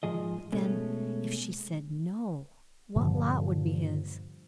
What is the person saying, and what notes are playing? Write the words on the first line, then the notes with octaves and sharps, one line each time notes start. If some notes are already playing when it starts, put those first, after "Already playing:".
But then, if she said "no," what lot would be his?
G#2 F3 G#4 D#5
B2 G#3 A3 C#4
G2 A#2 D3 F3